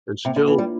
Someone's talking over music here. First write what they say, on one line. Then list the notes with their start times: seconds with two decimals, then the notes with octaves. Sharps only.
and still
0.25 C3 A#3
0.36 D3
0.48 E3 D4 F4
0.58 G3